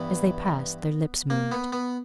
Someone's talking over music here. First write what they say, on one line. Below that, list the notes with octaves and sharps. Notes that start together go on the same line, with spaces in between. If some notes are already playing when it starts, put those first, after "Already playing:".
As they passed their lips moved.
Already playing: G2 E3 B3
A#3
B3
B3